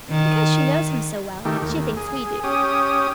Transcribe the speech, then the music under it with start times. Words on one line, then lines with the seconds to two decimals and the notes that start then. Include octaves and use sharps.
"Because she knows him so well, she thinks we do."
0.10 D#3
1.45 D#3 A3 G4
1.62 D#2
1.97 G#4
2.43 C#4 G4 D#6